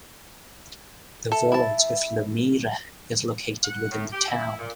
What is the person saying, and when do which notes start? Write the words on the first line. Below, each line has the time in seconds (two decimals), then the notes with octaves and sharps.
The Village of Lomira is located within the town.
1.32 A4 E5
1.52 E4 A5
3.63 F#5
3.89 A2
4.12 G4
4.27 E4
4.58 A#2